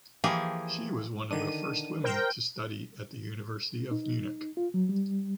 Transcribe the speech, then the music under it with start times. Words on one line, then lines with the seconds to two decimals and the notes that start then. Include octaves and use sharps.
She was one of the first women to study at the University of Munich.
0.24 E3 F3 A#3 G4 G#4 G#5
1.31 D3 D#3 D4 D#7
2.04 A#4 C5 G5
3.91 D#4
4.57 F4
4.74 F#3
4.89 G3